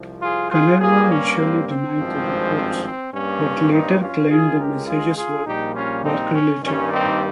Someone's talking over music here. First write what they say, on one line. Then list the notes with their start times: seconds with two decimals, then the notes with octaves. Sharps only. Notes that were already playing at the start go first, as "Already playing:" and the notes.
Kanerva initially denied the reports but later claimed the messages were work related.
Already playing: C2 C3 F3
0.22 F4 G#4
0.51 F4 G#4
0.80 G2 G3 A#3 F4 G#4
1.10 C#4
1.38 C4
1.68 C4
1.97 G#1 G2 F3 G#3
2.55 C4
2.84 C4
3.13 G2 G3 A#3 C#4
3.71 C4 D#4
4.00 C#4 F4
4.29 C#2 C#3 G#3 F4 G#4
4.58 G4 A#4
4.87 F4 G#4
5.16 F4 G#4
5.46 A#1 A#2 G3 A#3 D#4 G4
5.74 C#4 F4
6.04 C4 D#4
6.33 C#4
6.62 G2 D#3 G3 A#3 C#4
6.91 C4 D#4